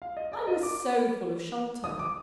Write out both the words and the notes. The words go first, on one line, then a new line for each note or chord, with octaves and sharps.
I was so full of Sholto.
F5
D#5
D5
D#5
D6
D#6
D6